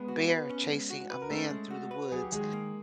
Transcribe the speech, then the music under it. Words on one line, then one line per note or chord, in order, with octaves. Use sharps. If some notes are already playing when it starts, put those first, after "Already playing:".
bear chasing a man through the woods,
Already playing: G#3 B3
F#4
B4
C#4
G#3
F#4
B4
A#4
A3 C#4 A4
G#3
F#4
B4
F#3 G#4
G4
D#3 G#3 G#4
A#3